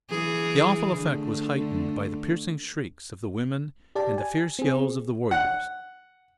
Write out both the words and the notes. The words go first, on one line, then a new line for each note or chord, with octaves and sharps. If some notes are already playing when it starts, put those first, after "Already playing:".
The awful effect was heightened by the piercing shrieks of the women and the fierce yells of the warriors.
E3 G#4
D3 A3
G4 D5 A5
G#5
C4 G#4
F#5